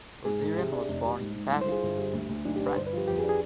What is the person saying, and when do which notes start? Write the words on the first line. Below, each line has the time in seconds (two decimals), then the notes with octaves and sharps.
Lusseyran was born in Paris, France.
0.25 G#2 G#4
0.41 G#2
0.56 C3
0.72 D4
0.89 F1
1.04 G3
1.20 G#2
1.35 G#2
1.51 C2
1.61 C5
1.67 F4 G#4
1.83 G1
1.98 G3
2.14 D2
2.29 D2
2.45 B1 D4
2.56 G4
2.60 D4
2.66 B4
2.76 G1 C5
2.87 B4
2.93 F3 G4
3.07 F2 G4
3.19 G#4
3.24 D4
3.29 G#4